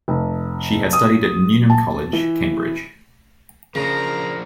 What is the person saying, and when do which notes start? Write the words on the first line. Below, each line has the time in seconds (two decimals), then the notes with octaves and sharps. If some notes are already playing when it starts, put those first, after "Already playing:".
She had studied at Newnham College, Cambridge.
0.08 F1
0.93 D#6
1.70 A5
2.13 E3
3.75 C#3 F3 D4 A#4 C5 A#5